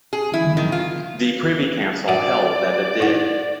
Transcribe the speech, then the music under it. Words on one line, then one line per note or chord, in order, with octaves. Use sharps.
The Privy Council held that it did.
G#4
E4
D#3
F4
F#4 D5 E5 F#5
D#4 E4 F#5